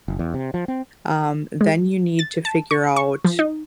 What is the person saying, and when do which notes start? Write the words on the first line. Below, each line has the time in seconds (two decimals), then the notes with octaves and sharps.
um, then you need to figure out
0.08 F#1
0.19 E2
0.34 C3
0.54 F3
0.68 C4
1.61 G#3
2.19 A6
2.45 A5
2.71 C#6
2.96 C#6
3.25 F3
3.39 D#4